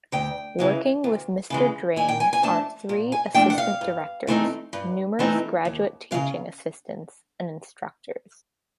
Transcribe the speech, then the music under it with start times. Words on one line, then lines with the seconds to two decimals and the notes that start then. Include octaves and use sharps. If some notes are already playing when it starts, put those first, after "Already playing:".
Working with Mr. Drane are three assistant directors, numerous graduate teaching assistants, and instructors.
0.12 D2 G5
0.59 C#3 E3 G#3
1.04 D2
1.50 C#3 E3 G#3
1.96 A#2 G#5
2.08 G5
2.20 G#5
2.33 G#5
2.42 F3 A3 D4 A5
2.89 A#2
3.12 G#5
3.35 F3 A3 D4 G5
3.50 F#5
3.58 F5
3.81 G2
4.27 E3 A3 C4 D#4
4.73 G2
5.19 E3 A3 C4 D#4
5.65 D#2
6.11 C#3 E3 F5